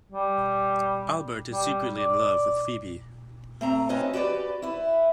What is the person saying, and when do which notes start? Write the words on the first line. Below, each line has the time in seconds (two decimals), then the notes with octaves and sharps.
Albert is secretly in love with Phoebe.
0.12 G3
1.52 G3
1.97 D5
3.61 A3 C4 A#5
3.89 C4 C#4 F#4 B4 D#5
4.13 F#4 G4 B4 D5
4.62 E4 B4